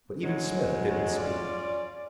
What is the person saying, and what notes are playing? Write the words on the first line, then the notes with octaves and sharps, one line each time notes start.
But even Smith didn't speak.
D2 F#3 G#3
C#4 F4 D5